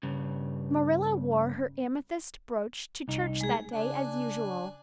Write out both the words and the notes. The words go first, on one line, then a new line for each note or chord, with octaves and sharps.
Marilla wore her amethyst brooch to church that day as usual.
G2 C#3
C2 D#4
G#3 G#4
C#3 D4 G#5 F#6